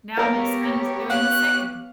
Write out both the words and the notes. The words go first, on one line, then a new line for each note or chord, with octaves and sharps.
now my son is doing the same,
B3 G4 A4 A#4 C#5 F5
F5 F#6